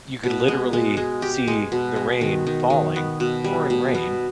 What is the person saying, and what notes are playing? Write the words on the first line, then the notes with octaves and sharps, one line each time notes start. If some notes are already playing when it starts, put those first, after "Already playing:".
you could literally see the rain falling, pouring rain,
B2
G#3
G#3
G#3
G4
G#3
B2
G#3
D#3
D#3
D#3
B3
B2
G3
B2
B3